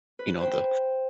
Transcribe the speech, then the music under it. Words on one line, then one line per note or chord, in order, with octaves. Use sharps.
you know, the
B4
C5 G5